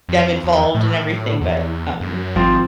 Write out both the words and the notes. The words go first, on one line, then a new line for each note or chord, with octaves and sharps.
them involved and everything, but, um
F2
E2
A2
E2
F#2
G#1 F3 C4